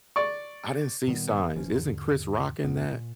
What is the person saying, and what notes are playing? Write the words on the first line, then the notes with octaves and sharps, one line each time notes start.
I didn't see signs, isn't Chris Rock in that?
D5 C#6
A#2 D#3 G3 B3
D#1 E3 F3 C#4
E2 G#2 D3
D#1 F#2 A#2 B3
A#2